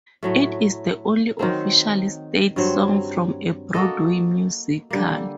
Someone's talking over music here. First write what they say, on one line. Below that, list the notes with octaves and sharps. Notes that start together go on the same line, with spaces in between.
It is the only official state song from a Broadway musical.
A2 F#3 A3
D#3 F#3 C4
G2 F#3 C4
A#3 F#4 A4 D#5
D3 G3 A#3